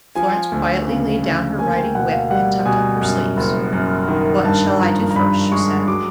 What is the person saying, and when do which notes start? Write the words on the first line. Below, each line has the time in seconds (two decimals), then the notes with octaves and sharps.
Florence quietly laid down her riding whip and tucked up her sleeves. "What shall I do first?" she said.
0.16 F3 G#5
0.52 D2
0.87 C#3
1.23 D2
1.58 A#3 G#5
1.77 G5
1.95 B2 F#5
2.12 F5
2.30 G3 F#5
2.65 B2 G#5
3.01 F#2
3.37 F#1
3.73 F#2
4.08 D#3
4.44 G2 A5
4.80 F3 A#5
5.11 A#5
5.16 G2 B5
5.52 G#3 C#6
5.88 F#3 D6